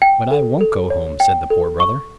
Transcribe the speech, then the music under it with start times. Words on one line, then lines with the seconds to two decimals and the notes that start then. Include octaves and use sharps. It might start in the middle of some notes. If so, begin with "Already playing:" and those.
"But I won't go home," said the Poor Brother.
0.02 G5
0.31 A4
0.61 A4
0.90 C#5
1.20 G5
1.50 A4
1.80 C#6